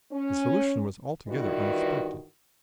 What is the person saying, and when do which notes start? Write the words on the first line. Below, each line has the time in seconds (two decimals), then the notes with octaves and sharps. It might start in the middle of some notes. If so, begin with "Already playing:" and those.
The solution was altogether unexpected.
0.11 C#4
1.28 G2 D#3 E3 G3 F4 F#4